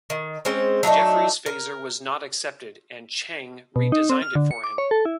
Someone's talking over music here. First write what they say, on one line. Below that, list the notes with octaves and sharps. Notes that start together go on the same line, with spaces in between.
Jefferies' phaser was not accepted, and Chang redesigned it for him.
D#3
G#3 C4 C#4 C5
F#3 A3 D4 D#4
A#4
B2
D#4
C4
F6
D3
C#7
D6
C#5
A4
E4